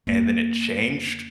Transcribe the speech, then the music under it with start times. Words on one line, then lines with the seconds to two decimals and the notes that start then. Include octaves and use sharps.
and then it changed,
0.07 F2 A#3